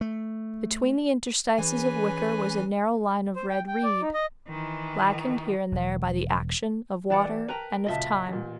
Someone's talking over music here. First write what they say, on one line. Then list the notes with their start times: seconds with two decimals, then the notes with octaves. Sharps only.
Between the interstices of wicker was a narrow line of red reed, blackened here and there by the action of water and of time.
0.01 A3
1.57 E3 C#4 G#4 B4 G#5
3.36 C5
3.49 G5
3.68 G5
3.83 D5
4.02 D#4
4.14 D#5
4.48 D#3 E3
5.72 E1
7.10 E3 D4 G4 D5 F#5 E7
7.48 A#4 B4 G5 A5 A#5
7.86 C#2 F#2 A#2 D#5 E5 A5
8.28 A1 A#2